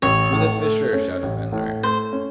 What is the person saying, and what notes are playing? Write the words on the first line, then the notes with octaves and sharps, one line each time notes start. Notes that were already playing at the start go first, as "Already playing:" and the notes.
"To the fissure!" shouted Ventnor.
A1 C#5
A2
A3
C#4
A1
A2
A3 C5
C#4